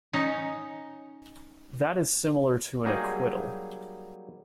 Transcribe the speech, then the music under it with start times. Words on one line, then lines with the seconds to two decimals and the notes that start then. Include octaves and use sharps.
That is similar to an acquittal.
0.13 C#4 D#4 C#5
2.85 F#3 G3 A#3 D#4 G#4